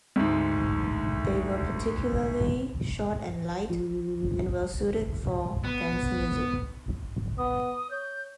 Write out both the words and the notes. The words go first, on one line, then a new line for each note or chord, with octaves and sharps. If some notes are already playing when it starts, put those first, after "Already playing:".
They were particularly short and light, and well-suited for dance music.
D2 G#2
F3
B3
B3 D#6
C#5 G6